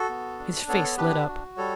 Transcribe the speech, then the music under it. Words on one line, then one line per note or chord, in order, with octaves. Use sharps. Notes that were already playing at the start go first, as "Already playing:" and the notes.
His face lit up.
Already playing: F#4 A4
B3
D4
B3 A4 C#5
D4 G4 B4
F#4
G3 A4 C#5